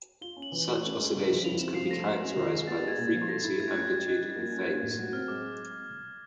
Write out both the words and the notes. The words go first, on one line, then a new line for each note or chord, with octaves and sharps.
Such oscillations can be characterized by their frequency, amplitude and phase.
F4 G7
C#4
F#7
E3
F#7
A3
C#4 F#7
G#3
C#3
F3
E4 F7
C4 E7
F3 C7
A3 A#6
F#4
C#4
D#3
G#3
B3 A6
G#3
G#6
A#2
A6
F3
A4 A#6
E4 A6
A3 G#6
C#4 F#6
G4
D#4
G3
A#3
C#4
A#3
A2
F#3
C4 F6
G#3 D6